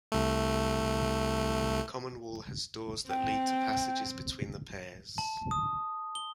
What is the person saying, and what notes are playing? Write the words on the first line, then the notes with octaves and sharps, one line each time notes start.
The common wall has doors that lead to passages between the pairs.
C2 A3
C4 G5
A5
D#6
G7